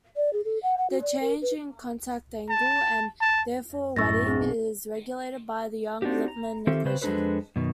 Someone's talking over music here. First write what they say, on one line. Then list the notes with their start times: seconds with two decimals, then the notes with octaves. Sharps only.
The change in contact angle, and therefore wetting, is regulated by the Young-Lipmann equation.
0.16 D5
0.33 G#4
0.45 A4
0.63 F#5
0.78 F#5
0.90 F#4
1.02 D5
1.21 A#4
1.42 B4
2.49 A5
3.21 A5
3.96 A1 F#2 C#6 E6 A6 A#6
4.27 C4 G#4
4.40 B1
6.02 C4 D4 D#4 F#4 G4
6.28 A#5
6.67 D#3 C4 F4 G4 A4 E5
6.85 C#3 C4 B4 C5
7.02 F2 G#3 D4 A4 B4 C5
7.56 F#2 B2 D#3